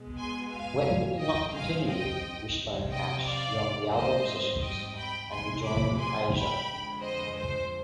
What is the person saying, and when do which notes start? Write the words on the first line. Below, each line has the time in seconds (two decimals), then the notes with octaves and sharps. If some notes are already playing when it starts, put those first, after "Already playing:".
Wetton did not continue with Wishbone Ash beyond the album sessions and rejoined Asia.
Already playing: B2 G#3 B3
0.17 G#5 C6
0.51 F5 G#5
1.20 G2 F3 C4 D#5 G5
1.55 F5 G#5
1.89 D#5 G5
2.57 C3 F3 C4
2.91 D#5 G5
3.25 D5 F5
3.93 G#2 G3 C4 C5 D#5
4.61 D#5 G5
4.96 G5 B5
5.30 C3 F3 G#3 C4 G#5 C6
5.64 B5 D6
5.98 G#5 C6
6.32 G5 B5
6.67 F2 D3 F3 G#3
7.01 C5 D#5
7.35 C5